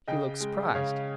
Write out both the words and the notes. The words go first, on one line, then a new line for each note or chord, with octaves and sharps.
He looked surprised.
C#3 D#5 G5
G#3
C#3 C#5 F5